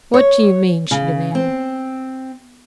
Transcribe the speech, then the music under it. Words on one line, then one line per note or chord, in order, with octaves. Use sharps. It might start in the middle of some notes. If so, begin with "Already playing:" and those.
"What do you mean?" she demanded.
C#5
C#3
C4